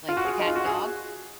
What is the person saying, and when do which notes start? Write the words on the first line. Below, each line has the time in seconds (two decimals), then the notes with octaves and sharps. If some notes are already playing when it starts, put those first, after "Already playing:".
like the cat and dog,
0.09 F4
0.17 F#4
0.25 G#4
0.39 D#4
0.47 F4
0.56 F#4
0.65 G#4